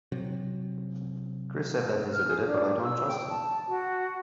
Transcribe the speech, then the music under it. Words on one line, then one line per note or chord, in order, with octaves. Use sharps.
Chris said that Lisa did it but I don’t trust him.
C3 F#3
F6
G#4
D4
E6
G5
A5
F#4